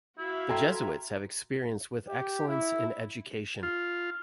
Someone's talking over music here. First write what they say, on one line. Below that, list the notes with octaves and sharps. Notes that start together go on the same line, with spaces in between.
The Jesuits have experience with excellence in education.
E4 F#4 E5 F5
A4 G5 A#5 C6 G#6
G4
E4
F4